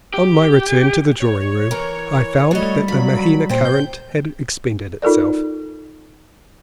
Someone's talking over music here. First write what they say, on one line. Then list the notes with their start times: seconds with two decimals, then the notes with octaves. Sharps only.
On my return to the drawing-room, I found that the Mahaina current had expended itself.
0.14 G4
1.20 C#5
1.71 E3 A#4
2.51 G3 A3 F#4 D#5
2.88 C#3 F#3 B5
3.49 A#2 C5 G5
3.65 G6
5.02 D#4 F4 A4 A#4 D5